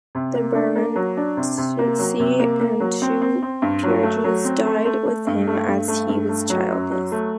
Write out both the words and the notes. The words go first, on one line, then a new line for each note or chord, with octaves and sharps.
The baronetcy and two peerages died with him as he was childless.
C3
A#3
D4
A#3
F#3
D4
C3
C3
A#3
F#3
C3
A#3
A#3
F#3
C4
C4
C4
G2
F#3
A3
F#3
C4
A3
A3
A3
G2
A3
G2
A3
G2
A3
F#3
F#2
F#3
A3